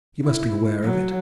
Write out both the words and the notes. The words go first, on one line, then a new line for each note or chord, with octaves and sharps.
You must be aware of it.
E4
F#3